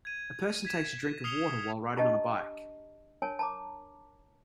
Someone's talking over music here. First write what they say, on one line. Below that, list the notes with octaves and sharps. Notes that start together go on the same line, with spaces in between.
A person takes a drink of water while riding on a bike.
G#6 D#7
G#6 B6 E7
D#6 F6 C7 C#7 F7 G7
D4 G4 D#5 A5 A#5 C#6
D4 A#4 C#5 G#5 A5
A5 A#5 D6